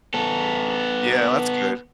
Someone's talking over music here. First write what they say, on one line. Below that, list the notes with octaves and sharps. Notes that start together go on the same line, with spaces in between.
Yeah, that's good.
B3 A4